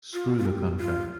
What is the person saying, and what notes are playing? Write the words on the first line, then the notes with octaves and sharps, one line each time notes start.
Screw the contract!
F4
F4
A#4
G4
F4